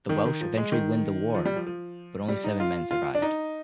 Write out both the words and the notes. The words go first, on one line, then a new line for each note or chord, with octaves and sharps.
The Welsh eventually win the war, but only seven men survived.
D#3
D#3
F3
G#3
D#3
F3
G3
F3
F3
G3
D#4
F4
F4
D4
D#4